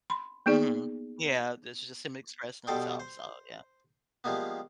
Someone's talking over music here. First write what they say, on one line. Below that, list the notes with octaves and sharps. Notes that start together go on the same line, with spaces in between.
Mhm. Yeah, this is just him expressing himself, so yeah.
B5 C6
A#3 B3 D#4 G#4 D5
B2 G3 A4 C5 G5 D#6
C5
F3 G3 G#3 A#3 B3